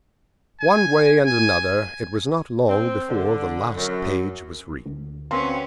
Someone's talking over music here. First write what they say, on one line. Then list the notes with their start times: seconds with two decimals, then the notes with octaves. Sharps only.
One way and another it was not long before the last page was reached.
0.60 G#5
1.26 G#5
2.68 C4
3.09 D3
3.76 F#2
4.86 D2
5.31 A#3 C4 C#4 F#4 B4 C6